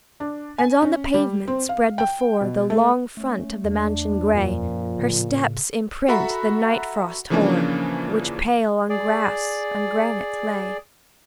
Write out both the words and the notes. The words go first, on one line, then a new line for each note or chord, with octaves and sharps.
And on the pavement spread before The long front of the mansion grey, Her steps imprint the night-frost hoar, Which pale on grass and granite lay.
D4
G#5
C#4
G3
C4
F5
G5
B2
A3
A3 C#4
E2 D4
F#2 A#2 F3
A2 C#3
F#4 A4 E5 F#5 A#5 B5
C#3 E3 F3 A#3 C#4 D4
G#4 D5